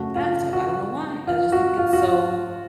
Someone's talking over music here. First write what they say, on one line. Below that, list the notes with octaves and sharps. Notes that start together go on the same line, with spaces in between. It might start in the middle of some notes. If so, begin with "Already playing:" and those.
bathtub." I don't know why. I just think it's so
Already playing: F#2 C#3 A3 F#4
F4
F#4
F4
F#4
F4
F#4
F4